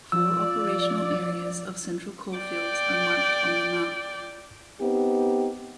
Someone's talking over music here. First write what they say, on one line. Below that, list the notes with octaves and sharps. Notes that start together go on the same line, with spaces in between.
Four operational areas of Central Coalfields are marked on the map.
F3 D5 E6
D5 G5
B3 C4 D#4 G4